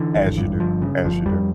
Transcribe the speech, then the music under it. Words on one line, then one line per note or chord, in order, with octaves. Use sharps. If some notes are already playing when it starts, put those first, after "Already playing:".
As you do. As you do.
Already playing: D3 E3
G#1
G2
G1 F3
C#3
G1 F3
F2 G3